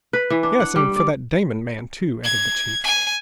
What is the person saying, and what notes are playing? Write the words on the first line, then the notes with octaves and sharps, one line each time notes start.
"Yes, and for that Damon man, too," added the chief.
B4
E3
D4
F#5
G3
D5
G#6
G#5